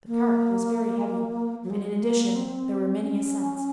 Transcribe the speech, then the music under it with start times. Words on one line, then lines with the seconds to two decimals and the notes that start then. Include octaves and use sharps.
The cart was very heavy, and in addition, there were many ascents.
0.07 A#3
1.64 F#3
1.70 G#3
2.03 A#3
2.35 C4
3.01 C#4